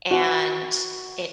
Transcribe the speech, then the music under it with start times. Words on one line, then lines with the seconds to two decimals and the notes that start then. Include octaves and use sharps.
and it
0.11 F#4